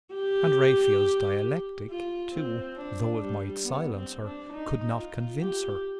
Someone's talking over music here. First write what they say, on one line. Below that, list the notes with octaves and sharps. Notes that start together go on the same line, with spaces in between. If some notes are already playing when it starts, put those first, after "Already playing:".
And Raphael's dialectic, too, though it might silence her, could not convince her.
G4
F4
C4
D4
G3
B3
C4
D4
D#4
F4
G4